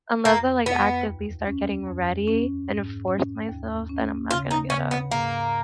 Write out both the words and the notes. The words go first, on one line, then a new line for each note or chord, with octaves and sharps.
unless I, like, actively start getting ready and force myself, then I'm not gonna get up.
F2 A#3
F2 B3
D#2
C#4
F2
C#4
G#2
C#4
D#2
C#4
C#3 F4
D#4
C#3 C#4
B3
G#2 A#3